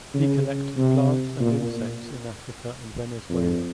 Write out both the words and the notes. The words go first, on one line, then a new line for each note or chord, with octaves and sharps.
He collected plants and insects in Africa and Venezuela.
C#3
C3
A#2
F2